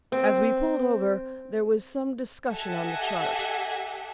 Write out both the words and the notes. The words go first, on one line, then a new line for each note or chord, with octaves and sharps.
As we pulled over, there was some discussion on the chart.
C4
G4 A4 D#5 E5 F#5 G#5